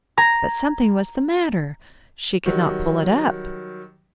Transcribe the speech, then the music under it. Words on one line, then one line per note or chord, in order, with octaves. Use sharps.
But something was the matter; she could not pull it up.
A#5 G#6
D#3 F#3 G3